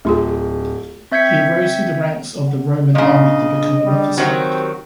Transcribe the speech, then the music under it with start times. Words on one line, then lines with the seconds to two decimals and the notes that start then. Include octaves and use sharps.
He rose through the ranks of the Roman army to become an officer.
0.05 D1 A3 F4 G#4
1.12 C4 E5 G6 G#6 B6 C#7
2.47 F#5
2.95 A#2 C#3 C#4 D4 D#5
3.41 D4 G#4
3.85 G3
4.18 D#3 F#3 C4 G4 A#4